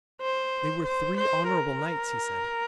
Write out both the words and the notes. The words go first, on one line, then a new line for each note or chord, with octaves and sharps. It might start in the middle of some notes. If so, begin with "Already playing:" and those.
'They were three honourable knights,' he said.
C5
C5
C5
A#4